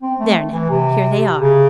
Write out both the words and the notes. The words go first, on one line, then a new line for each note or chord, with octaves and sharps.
There now, here they are.
C4
A3
E3
C3
C#3